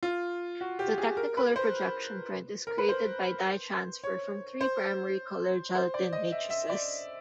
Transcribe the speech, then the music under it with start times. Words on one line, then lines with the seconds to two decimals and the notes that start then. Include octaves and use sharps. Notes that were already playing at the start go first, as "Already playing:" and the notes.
The Technicolor projection print is created by dye transfer from three primary-color gelatin matrices.
0.03 F4
0.61 F#4
0.79 G4
0.98 G#4
1.17 A#4
1.37 B4
1.56 C5
2.67 A#4
2.78 B4
2.89 C5
4.03 C#5
4.61 C5
5.75 C5
5.94 D5
6.13 D#5
6.32 E5
6.50 E5
6.70 D5